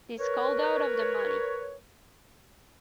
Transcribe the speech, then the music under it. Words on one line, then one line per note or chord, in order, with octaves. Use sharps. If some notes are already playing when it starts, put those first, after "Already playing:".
This called out of the money.
A#4 B4 C#5